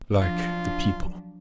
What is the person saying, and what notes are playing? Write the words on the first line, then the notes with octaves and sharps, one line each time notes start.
Like the People.
F3 F#3 D4 F4